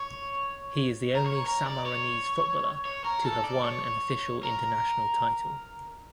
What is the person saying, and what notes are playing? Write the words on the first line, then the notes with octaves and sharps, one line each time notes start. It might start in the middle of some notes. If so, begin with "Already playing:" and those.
He is the only Sammarinese footballer to have won an official international title.
Already playing: C#5
A#4
C#5
A#4
D5
C#5
C#5
A#4
A4
D5
C#5
A#4